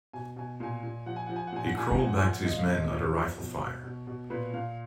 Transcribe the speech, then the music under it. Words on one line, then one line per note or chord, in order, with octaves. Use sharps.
He crawled back to his men under rifle fire.
B2 G#5
B2 G#5
A#2 G#5
A#2
F3 F#5
G#5
F3 F#5
G#5
F#5
A#2 G#5
F#5
A#2 G#5
F#5
F3 G#5
F#5
G#5
F3 F#5
A#2 D#5
F5
A#2 D#5
F3 C#5
F3
B2
B2
B2
B2
A#2 B4
A#2 F5